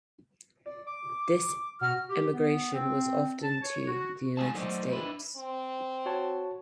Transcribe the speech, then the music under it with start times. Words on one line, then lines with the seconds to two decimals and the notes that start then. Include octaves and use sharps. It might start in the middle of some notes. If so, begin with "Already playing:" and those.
This emigration was often to the United States.
0.66 D5
0.87 D6
1.81 B2 F#4 F6
2.09 G4
2.33 B3
2.73 C4
3.43 A5
3.62 C#5
3.87 F#4
4.37 G#3 A3 F4 F#4 G#4 A5
4.55 F#3 A3 D#4 C5 D5
4.92 D4 E4 B4
5.37 C4
6.06 F#4 C#5 A5